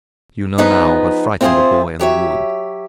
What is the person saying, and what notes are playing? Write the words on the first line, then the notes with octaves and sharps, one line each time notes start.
You know now what frightened the boy in the wood.
F3 B3 D#4 G#4 B4
C4 E4 F4 G4 G#4 C5
F#3 G4 C#5 E5